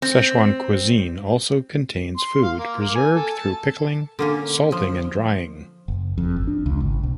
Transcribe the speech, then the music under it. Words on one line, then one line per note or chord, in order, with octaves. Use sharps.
Sichuan cuisine often contains food preserved through pickling, salting and drying.
C4
C6
F5
A#3
A#3
G#5
A4
A5
D3 A#3 C#4
F3
F#1
F2
G#1
D4
C#2
G#1
B1